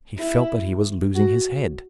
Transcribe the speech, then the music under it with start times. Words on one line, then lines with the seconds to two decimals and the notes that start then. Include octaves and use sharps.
He felt that he was losing his head.
0.18 E4
1.15 F#4